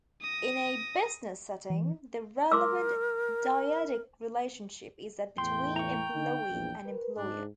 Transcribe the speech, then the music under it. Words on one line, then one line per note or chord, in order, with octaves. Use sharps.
In a business setting, the relevant dyadic relationship is that between employee and employer.
D#6 A#6
E3
A#4 C6 D6 E6
E2 A2 E3 G5 C6
A#5 C#6
D3 D#4
A#1 E2
A#4 B4
G#2 D4